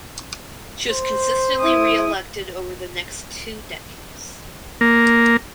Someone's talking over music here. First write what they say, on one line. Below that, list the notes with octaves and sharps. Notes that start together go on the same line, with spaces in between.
She was consistently reelected over the next two decades.
C5
E4 D#6
A#3